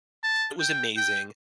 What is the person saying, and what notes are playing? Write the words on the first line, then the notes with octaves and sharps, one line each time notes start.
it was amazing.
A5
G5
G5